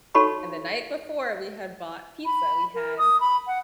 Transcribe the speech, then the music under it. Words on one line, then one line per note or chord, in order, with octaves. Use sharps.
And the night before, we had bought pizza, we had
D#4 F#4 A4 C#5 B5 C#6
B5
A#4
D#6
B5
F#5